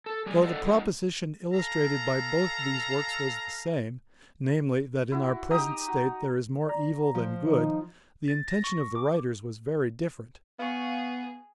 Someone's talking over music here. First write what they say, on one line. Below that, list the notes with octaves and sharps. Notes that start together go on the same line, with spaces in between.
Though the proposition illustrated by both these works was the same, namely, that in our present state there is more evil than good, the intention of the writers was very different.
A4
G3 G#4 D5
A4 D5 D#5 F5 F#5
G2 G#3 E4 D#5 F#5
A4 F5 A#5
E4 F#4
D#4 G4 A#5 D#6
F#4
D5 A#5
F3
D#3 D#4
A6
A#6
C#6
D6
B3 G#4 F5 C#6